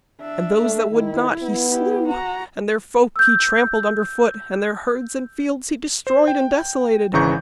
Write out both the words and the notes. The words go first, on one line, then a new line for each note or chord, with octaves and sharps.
And those that would not he slew, and their folk he trampled underfoot, and their herds and fields he destroyed and desolated.
D4 E5
A3
D#3 E4
B3
E4 G4
F#4 A#5
E6 G6
C5
G5
G#1 C#3 E3 A#5 C#6 G6